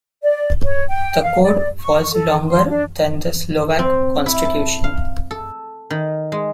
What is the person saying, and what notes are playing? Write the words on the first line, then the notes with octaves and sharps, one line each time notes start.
The Code was longer than the Slovak Constitution.
D5
C#5
G5
F5
D5
C#6
A4
C6
D4
C4
E4
A5
F5
A4
D#3
G#3